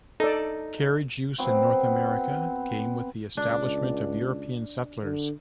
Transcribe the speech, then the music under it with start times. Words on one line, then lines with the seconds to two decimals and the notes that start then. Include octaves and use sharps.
Carriage use in North America came with the establishment of European settlers.
0.20 D#4 A4 D5
1.38 F#3 B3 C4
3.37 C#2 D4
5.03 D3